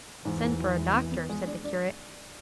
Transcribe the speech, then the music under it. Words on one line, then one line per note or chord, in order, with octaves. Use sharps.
'Send for a doctor,' said the curate.
E2 G#2 E3
G#2
F3
G#3
B3
B3
G#3
D4
D4